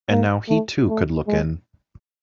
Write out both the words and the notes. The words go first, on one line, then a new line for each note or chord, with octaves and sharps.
And now he too could look in.
A#3
A3
A3
G#3